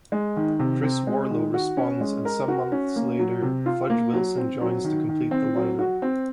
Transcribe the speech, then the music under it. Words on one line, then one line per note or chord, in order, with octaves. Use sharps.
Chris Warlow responds and some months later Fudge Wilson joins to complete the line-up.
G#3
D#3
C3
C4
G#3
D#3
F#4
C#4
G#3
A#4
F#4
C#4
A#3
F#3
C3
F4
A#3
F#3
C4
F#3
D#3
D#3
C4
F#3
F#4
C4